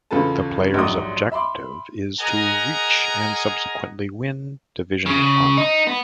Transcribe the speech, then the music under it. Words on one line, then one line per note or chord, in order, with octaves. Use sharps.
The player's objective is to reach, and subsequently win, division one.
E2 C#3 F4 A4 B4 A5
A#1 G#2 F#3 G3 D#6
E5 B5 C6 D6
G#4 A#4 D#5 F#5 G#5 A#5
C#3
D#4
B3